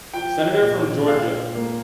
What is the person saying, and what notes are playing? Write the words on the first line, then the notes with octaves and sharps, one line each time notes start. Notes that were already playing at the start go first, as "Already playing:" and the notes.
Senator from Georgia.
F3 G5
A#2
A#2 F5
A#3